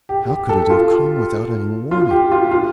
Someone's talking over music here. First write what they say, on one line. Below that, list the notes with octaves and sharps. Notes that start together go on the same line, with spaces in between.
'How could it have come without any warning?
G4
G4
A4
F4
F4
G4
F4
F4